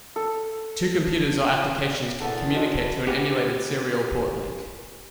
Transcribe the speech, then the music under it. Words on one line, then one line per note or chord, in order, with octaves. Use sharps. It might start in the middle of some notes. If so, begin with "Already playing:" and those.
Two computers or applications can communicate through an emulated serial port link.
A4
F#4 A#4 D5
E2 D4 A4 A#4 F#5
F#4 C5 D#5
G4 B4 F#5 G#5